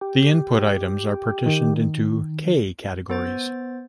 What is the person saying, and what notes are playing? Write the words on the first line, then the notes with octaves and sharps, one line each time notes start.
The input items are partitioned into "k" categories.
G4
D#3
B3 C5 A6